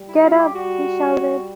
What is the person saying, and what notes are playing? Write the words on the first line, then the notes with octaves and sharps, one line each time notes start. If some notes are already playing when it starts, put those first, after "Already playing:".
'Get up!’ he shouted.
Already playing: G3
E4
F4
G4
G3 F#4
G3